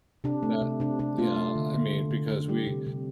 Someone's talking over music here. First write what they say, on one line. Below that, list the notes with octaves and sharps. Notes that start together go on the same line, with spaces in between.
but, you know, I mean, because we,
C3 D4
A3
C3
C3 D4
C3 D4
A3 F4
A3
D3
D3
D3
D3
D3
G3 G4
C3
C3